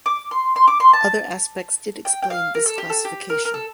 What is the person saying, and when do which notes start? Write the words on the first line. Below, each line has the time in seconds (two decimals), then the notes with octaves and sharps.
Other aspects did explain this classification.
0.06 D6
0.31 C6
0.56 C6
0.68 D6
0.80 C6
0.93 A5
2.05 G5
2.23 G5
2.30 F5
2.55 A#4
2.66 A4
2.78 G4
2.90 A4
3.05 G4
3.30 A#4
3.45 A#4
3.54 A4